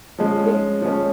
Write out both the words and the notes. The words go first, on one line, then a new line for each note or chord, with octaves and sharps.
Thank you.
F3 G#3 C#4
F3 G#3 C#4